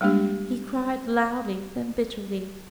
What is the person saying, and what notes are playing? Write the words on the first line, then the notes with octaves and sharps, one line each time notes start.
He cried loudly and bitterly.
G3 G#3 A#3 D4 G4